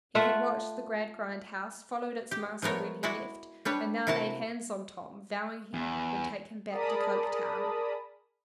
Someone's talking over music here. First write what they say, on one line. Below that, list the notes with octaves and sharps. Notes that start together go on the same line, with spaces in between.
He had watched the Gradgrind house, followed its master when he left and now laid hands on Tom, vowing he would take him back to Coketown.
A3 F4 E5 F#5
G4
F3 A3 B3 A#4 C#5
G#3 E4 F#4 D5
G3 D4 B4 C#5
C3 E4 F#4 A#4 A5
E2
G#4 A#4 D5 A5 B5 D#6